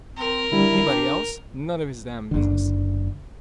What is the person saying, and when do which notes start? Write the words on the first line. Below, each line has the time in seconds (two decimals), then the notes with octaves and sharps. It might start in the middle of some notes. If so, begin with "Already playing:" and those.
Anybody else, none of his damn business.
0.17 C4 A#4
0.52 D3 G3 E4
0.88 D4 G5
2.31 F#1 D3